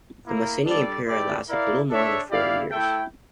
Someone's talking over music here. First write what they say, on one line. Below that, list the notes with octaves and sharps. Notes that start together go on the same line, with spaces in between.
The Masina Empire had lasted little more than forty years.
A#3 E4 A#4
G3 D4 A4 D5
A3 E4 G4 D5
E4 A#4 D5 F5
D4 A4 C#5 E5
E4 G4 D5 F5
A3 E4 A4 E5 G5